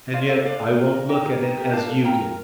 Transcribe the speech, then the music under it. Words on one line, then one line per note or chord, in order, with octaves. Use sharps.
And yet I won't look at it as you do.
F4 D5 F5
A4 D5 F5
D4 D5 F5
A4
F4
A#4
D#4 D#5 G5
G4 A#4
D#4
G4 A#4
D4 F5 A5
A4
F4 G5 A#5
A#4